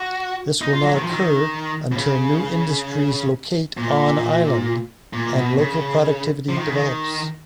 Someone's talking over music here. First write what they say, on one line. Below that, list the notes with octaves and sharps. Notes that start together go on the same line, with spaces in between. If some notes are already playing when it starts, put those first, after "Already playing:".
This will not occur until new industries locate on island and local productivity develops.
Already playing: F#4
D#4
F4
F#3
D#3
F3
D#3
B2
C#3
A#2
A#2
B2
C#3
F3
D#3
C#3
D#3